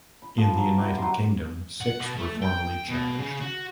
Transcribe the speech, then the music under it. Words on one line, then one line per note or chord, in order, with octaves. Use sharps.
In the United Kingdom, six were formally charged.
B5
F3
F#3
E4 G4
F#3 C6
F#5
B2
A3
G5
B2
C#3
F#4